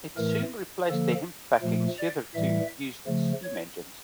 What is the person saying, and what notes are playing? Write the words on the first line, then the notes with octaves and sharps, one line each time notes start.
It soon replaced the hemp packing hitherto used in steam engines.
A2 E3 A3 A#4
D3 F3 A#3 A4
A#2 F3 A3
D5
A2 E3 G3 E5
C#3 F3 A3
C#5